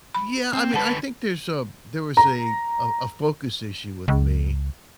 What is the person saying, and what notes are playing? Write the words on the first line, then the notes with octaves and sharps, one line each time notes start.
Yeah, I mean, I think there's a there was a a a focus issue with me,
B5
C4
D3 B4 F#5 A5
A#5
C#2